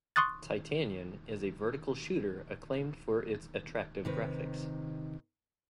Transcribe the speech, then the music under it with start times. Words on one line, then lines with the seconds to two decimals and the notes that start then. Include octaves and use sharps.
"Titanion" is a vertical shooter acclaimed for its attractive graphics.
0.16 C6 C#6 D#6 F#6 A6
4.05 C3 D#3 B4